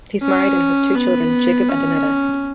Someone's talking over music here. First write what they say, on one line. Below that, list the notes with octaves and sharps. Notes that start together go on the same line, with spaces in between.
He is married and has two children - Jakub and Aneta.
C#4
B3
C#4